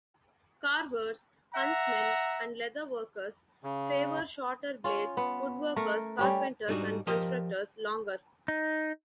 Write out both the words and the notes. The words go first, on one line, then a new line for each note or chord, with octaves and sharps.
Carvers, huntsmen and leatherworkers favour shorter blades; woodworkers, carpenters and constructors longer.
E5 F#5 A#5
C#3
C#4 F4
B3
A3 A#4
G3 C#4 G4
G#2 G3 D4 D#4 F#4
F3 G4 A#4 D#5 F5
D#4